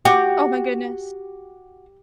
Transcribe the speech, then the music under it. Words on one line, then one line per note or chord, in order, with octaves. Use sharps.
Oh my goodness.
F#4 G4